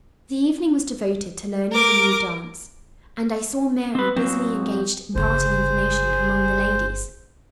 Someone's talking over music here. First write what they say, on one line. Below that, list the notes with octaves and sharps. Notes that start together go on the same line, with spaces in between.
The evening was devoted to learning the new dance, and I saw Mary busily engaged imparting information among the ladies.
A#4 D6
C4 B4
F#3 C4
G1 C#3 G#4 C5